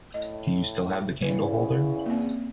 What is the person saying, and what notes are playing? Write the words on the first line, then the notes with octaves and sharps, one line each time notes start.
Do you still have the candle holder?
A2 D#5
E2 C#3 E3 B4
A#3 C4